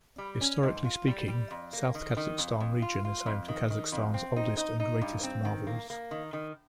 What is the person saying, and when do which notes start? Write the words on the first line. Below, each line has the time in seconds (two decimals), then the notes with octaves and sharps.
Historically speaking, South Kazakhstan Region is home to Kazakhstan's oldest and greatest marvels.
0.18 G3
0.41 C#4
0.63 G#2
0.84 F4
1.07 G3
1.28 G3
1.51 F2
1.73 A#3
1.95 D#3
2.17 D#3
2.38 F2
2.60 F2
2.82 F4
3.05 F4
3.26 F2
3.48 D#3
3.70 D#3
3.92 F2
4.14 C4
4.36 D#4
4.57 D#4
4.80 D#4
5.01 G2
5.23 C4
5.45 D#3
5.67 A#3
5.90 A#3
6.11 D#3
6.33 D#3